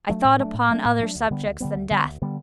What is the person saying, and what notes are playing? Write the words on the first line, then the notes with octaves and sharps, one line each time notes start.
I thought upon other subjects than Death.
F#3 A3 D4
A2
F#3 A3 D4
A2
F#3 A3 D4
A2
F#3 A3 D4
D2
D3 G3 B3
D2
D3 G3 B3
D2
D3 G3 B3
D2
D3 G3 B3